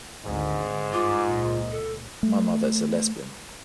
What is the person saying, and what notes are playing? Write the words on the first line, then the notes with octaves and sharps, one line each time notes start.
My mother is a lesbian.
G#1 D2 G#2
D3
G2 F4 D6
C#2 A#2 D#5
A4
A3